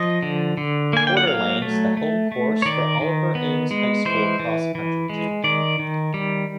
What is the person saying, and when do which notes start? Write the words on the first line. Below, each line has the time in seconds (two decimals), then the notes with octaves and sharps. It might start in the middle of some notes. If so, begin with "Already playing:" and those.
Borderland is the home course for Oliver Ames High School cross country team.
Already playing: F3 D#5
0.22 D3
0.57 D3
0.93 A#3 G#5
1.07 G5
1.17 F#5
1.27 F#3 F5
1.62 A3
1.97 A3
2.32 A3
2.62 C#5
2.65 D#3 D5
3.01 D#3
3.35 B3
3.71 G#3
4.05 E3 C5
4.39 E3
4.75 E3
5.10 G#3
5.44 D#3 D5
5.79 D#3
6.14 G3